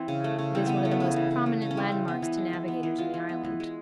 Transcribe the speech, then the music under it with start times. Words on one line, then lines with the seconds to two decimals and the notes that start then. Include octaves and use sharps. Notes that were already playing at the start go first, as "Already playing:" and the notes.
It is one of the most prominent landmarks to navigators in the island.
Already playing: E3 C4
0.08 C#3
0.24 A3
0.38 C#3
0.55 E3 C4
0.66 C#3 B3
0.85 A3
0.91 B3
1.00 C#3
1.16 E3
1.31 C#3
1.46 A3
1.62 C#3
1.71 C#4
1.77 G#3 C4
1.92 E3
2.08 B3
2.22 E3
2.37 G#3
2.53 E3
2.68 B3
2.83 E3
2.98 G#3 F4
3.14 E3
3.29 B3
3.44 E3
3.60 G#3